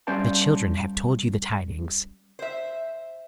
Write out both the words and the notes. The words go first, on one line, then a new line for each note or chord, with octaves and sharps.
The children have told you the tidings.
G3 C#4 C5 D5 F5 A5
C5 E5